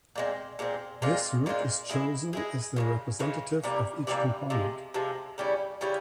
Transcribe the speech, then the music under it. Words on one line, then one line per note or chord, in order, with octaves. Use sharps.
This root is chosen as the representative of each component.
A#2 G#3 C4
A#2 G#3 C4
A#2 G#3 C4 F4
A#2 G#3 C4 F4
G#3 E4 G#4
G#3 E4 G#4
C#3 E3 G#3
C#3 E3 G#3
C3 E3 G3 A#3
C3 E3 G3 A#3
C3 F3 G#3
C3 F3 G#3
C#3 G3 C#4 E4
C#3 G3 C#4 E4